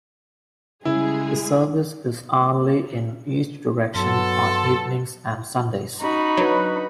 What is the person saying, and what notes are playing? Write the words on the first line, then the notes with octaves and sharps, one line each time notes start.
The service is hourly in each direction on evenings and Sundays.
C#3 G3 G#3 E4 G#4
G2 F#3 B3 A4 C6
C#4 D#4 F#4 B5
F#3 D4 B4